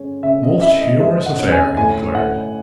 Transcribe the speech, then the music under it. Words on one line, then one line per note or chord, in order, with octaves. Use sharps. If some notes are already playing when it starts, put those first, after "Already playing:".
"Most humorous affair!" he declared.
Already playing: G#3 C#4
C#3 E5
D#5
E4 E5
D#5
G#3 E5
F#5
C#4
G#5
A2 G#5
A2 F#5